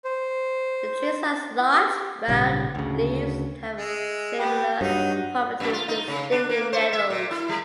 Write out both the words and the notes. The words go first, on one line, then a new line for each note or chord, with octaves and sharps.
The tree has large, round leaves that have similar properties to stinging nettles.
C5
E4
G4
G#1 A#2 C#3 G3
D2 C#3
G#3 E5
B3 G4 G5
G2 F#3 D#4 F#4
F#2
F4
D#4
C#3
D4
A#3
C5
E5
A#2
E4
G3